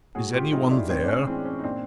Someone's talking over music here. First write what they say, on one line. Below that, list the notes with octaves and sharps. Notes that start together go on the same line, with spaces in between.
"Is any one there?"
A2 F#4 G#4
F4 G4
F#3 A3 D#4 F4
D4 E4
A2 C4 D4
D4
C#4
E3 G#3 C4
C#4
D#4
A#2 C4 D4